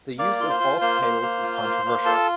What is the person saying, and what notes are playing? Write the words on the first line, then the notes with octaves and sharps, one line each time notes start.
The use of false titles is controversial.
A#3 D5 D6
F4
C5 C6
F4
A#3 C5 C6
A#3
A#3
F4
A#3
A#3
F4 A4 A5